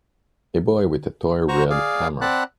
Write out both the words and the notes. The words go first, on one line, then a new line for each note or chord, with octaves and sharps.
A boy with a toy red hammer.
F#4 C5 A#5 C#6
G#4 D5 F5
C4 D5 F#5 A5 B5 F#6